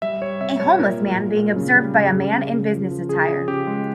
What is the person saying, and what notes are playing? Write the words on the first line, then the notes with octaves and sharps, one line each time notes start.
A homeless man being observed by a man in business attire.
G3 E5
G3 C#5
C3 E5
G3 C#5
A#2 A#4
G#3
A#2
A#2
C#3
G3
C#3
C#3
C#3
C#3
F3
F3
C#3 G#4
C#3
C#3 G4
G#3